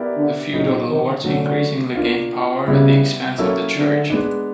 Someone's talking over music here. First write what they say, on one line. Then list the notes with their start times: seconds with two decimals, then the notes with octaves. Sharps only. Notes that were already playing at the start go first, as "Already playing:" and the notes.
The feudal lords increasingly gained power at the expense of the church.
Already playing: B3 E4 G4 A#4 D5
0.16 D3
0.52 A#2 F#3 B3 D#4
0.88 D#3
1.24 D3 F#3 A3 C#4 F#4
1.95 A#3 D4 F4
2.67 C#3 G3 B3 E4
3.38 F#3 A#3 C#4 E4 A4
3.75 D3
4.10 G#3 B3 D4